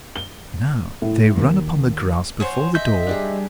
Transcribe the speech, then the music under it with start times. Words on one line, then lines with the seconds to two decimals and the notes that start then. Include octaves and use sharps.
Now they run upon the grass before the door.
0.16 G7
1.02 A2
1.37 D#2
2.40 C5 C#5 F#5 G#5
2.75 D#5 E5 C6 G6
3.07 G3 D4 G4 G#4